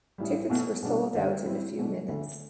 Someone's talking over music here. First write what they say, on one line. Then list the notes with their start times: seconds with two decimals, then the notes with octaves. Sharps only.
Tickets were sold out in a few minutes.
0.18 A1 A2 G3
0.49 B1 B2 A3
0.82 B1 B2 G3 D4
1.13 F#2 D3 A3
1.45 A2 G3 C4 E4
1.78 B1 B2 A3 D4
2.08 D2 D3 A3